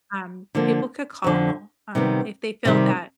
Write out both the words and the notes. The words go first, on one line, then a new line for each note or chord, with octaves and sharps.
um, people could call, um, if they feel that
D3 F3 A#3
F2 D3 F3
C3 D#3 G3 B3
C3 D#3 G3